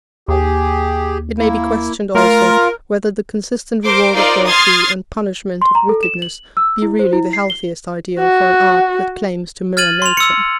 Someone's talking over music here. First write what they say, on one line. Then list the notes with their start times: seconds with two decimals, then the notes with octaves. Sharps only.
It may be questioned, also, whether the consistent reward of virtue and punishment of wickedness be really the healthiest ideal for an art that claims to mirror nature.
0.28 D#2 G4 G#4
1.39 A#3 E4
2.15 A3 F4 A#4 F5
3.86 A#4 C5 D6
4.15 D#4 F4 A#4 C5 D5 F5
4.46 C6 D#6 F6 G#6 A6 C7
5.62 C6
5.75 A#5
5.89 A4
6.03 E7
6.22 F#7
6.57 E6
6.82 E4
6.99 C5
7.13 E4
7.33 C7
7.50 G7
8.19 F#4
9.77 F6 G#6 A6 D#7 F#7
10.02 C6 F7
10.17 E6 C#7